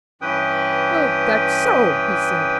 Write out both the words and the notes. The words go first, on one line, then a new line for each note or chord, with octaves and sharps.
"Well, that's so," he said.
G2 E3 C#4 B4 G5 D#6